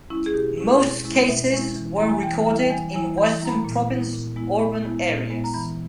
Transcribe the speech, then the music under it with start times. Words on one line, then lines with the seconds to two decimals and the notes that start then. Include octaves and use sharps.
Most cases were recorded in Western Province urban areas.
0.10 G#3 C#4 E4
0.26 G#4
0.34 B2 G4
0.57 G#3 C#4 E4
0.81 B2
1.04 G#3 C#4 E4
1.28 B2 E5
1.52 G#3 C#4 E4
1.76 E3
1.97 G3 A#3 E4 A#5
2.09 G#5
2.23 E3 G5
2.36 G5
2.46 G3 A#3 E4 E5
2.60 G5
2.70 E3 G#5
2.93 G3 A#3 E4 G#5
3.17 E3 B5
3.40 G3 A#3 E4 A#5
3.49 B5
3.65 A#2
3.88 G#3 B3 E4
4.13 A#2
4.36 G#3 B3 E4
4.59 A#2 B5
4.83 G#3 B3 E4
5.07 A#2
5.30 G#3 B3 E4
5.44 A#5
5.54 E3 B5